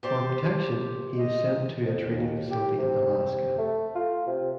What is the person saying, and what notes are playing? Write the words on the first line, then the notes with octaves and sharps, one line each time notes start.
For protection, he is sent to a training facility in Alaska.
G4 C5 D5
D#5
F2
D#2
G4
C3
C3
A3
F4
C3